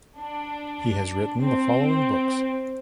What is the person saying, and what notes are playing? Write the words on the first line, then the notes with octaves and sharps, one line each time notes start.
He has written following books.
D4
C4